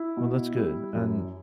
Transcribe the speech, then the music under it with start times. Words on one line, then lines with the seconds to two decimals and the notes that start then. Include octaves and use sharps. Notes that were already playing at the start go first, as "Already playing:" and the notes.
Well, that's good. And,
Already playing: E4
0.17 B2
0.56 G3
0.95 F#2